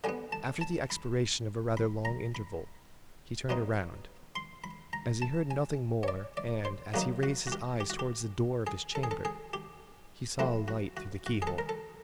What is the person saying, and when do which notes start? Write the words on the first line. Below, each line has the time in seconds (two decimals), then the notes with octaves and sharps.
After the expiration of a rather long interval, he turned round, as he heard nothing more, and, as he raised his eyes towards the door of his chamber, he saw a light through the keyhole.
0.04 D3 G3 B3 G#5
0.32 A5
0.61 A5
0.90 B5
1.77 B5
2.05 A#5
2.35 B5
3.49 B2 G3 C4 D#4
4.36 C6
4.64 B5
4.93 A#5
5.22 A5
5.51 G#5
6.03 C#5
6.08 D5
6.37 D5
6.65 C5
6.94 C#3 F#3 A#3 D#4 F#4
7.23 F#4
7.47 F#4
7.52 G4
7.80 G4
7.90 F#4
7.99 G4
8.67 G#4
8.95 A4
9.03 G#4
9.11 A4
9.25 G#4
9.53 G4
10.39 F3 A3 C4 E4 F#4
10.68 F#4
10.97 F#4
11.26 F#4
11.42 G#4
11.47 A4
11.58 A#4
11.69 A4